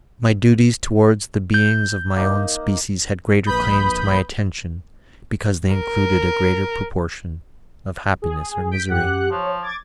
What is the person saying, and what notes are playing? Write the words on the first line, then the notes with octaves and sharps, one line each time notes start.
My duties towards the beings of my own species had greater claims to my attention because they included a greater proportion of happiness or misery.
G6
A#3 D#4
A#1 B4 B5 D#6 G6
A#4
G#4
G6 B6 D7
F#2 G4 F#5 F#6
F3 C#5
D6 G#6 A6